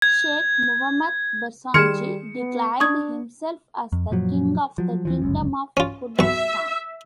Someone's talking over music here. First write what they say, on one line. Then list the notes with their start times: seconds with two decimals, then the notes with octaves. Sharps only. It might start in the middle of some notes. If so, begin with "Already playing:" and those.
Sheikh Mahmud Barzanji declared himself as the King of the Kingdom of Kurdistan.
0.02 G#6
1.74 D#3 G3 G#4 C6 F6 G#6 C#7 E7
2.37 B3
2.80 D4 C#6 D#6 G#6
3.92 F2
4.10 F#2 A#2 F3 F#3
4.78 F3 F#3
5.05 D#2 E3 F3
5.22 G1 C#2 F#2
5.77 C#4 F4
6.19 B1 E5 C#6